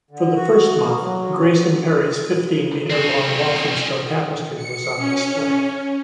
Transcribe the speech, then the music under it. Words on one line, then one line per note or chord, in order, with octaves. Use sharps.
For the first month, Grayson Perry's fifteen-metre long Walthamstow Tapestry was on display.
D3
F#4
A#3
F#3
C#4
C4 C#4
C#7
C#4